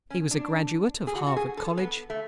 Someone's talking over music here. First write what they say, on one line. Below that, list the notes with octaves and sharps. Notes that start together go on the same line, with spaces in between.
He was a graduate of Harvard college.
C#4
D4
G#4
F#4
F#4
G#4
A4
B3
A3